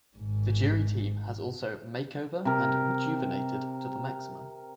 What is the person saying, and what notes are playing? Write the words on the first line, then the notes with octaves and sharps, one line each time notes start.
The jury team has also "makeover" and "rejuvenated" to the maximum.
G#1 G#2
C3 A#4